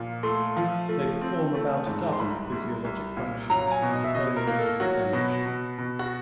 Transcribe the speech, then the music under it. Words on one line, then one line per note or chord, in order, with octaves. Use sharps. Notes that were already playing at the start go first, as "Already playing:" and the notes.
They perform about a dozen physiologic functions and are fairly easily damaged.
Already playing: A#2 F3
A3 C6
F3
A3
C4
A3
G#2
C6
C2 B5
C2
C2
A#2
F#3 A#5
G#5
B2
D#5
E5
B2 D#5
A#4
A#3
A4
F#3 F#4
B2
B2
B2
F#4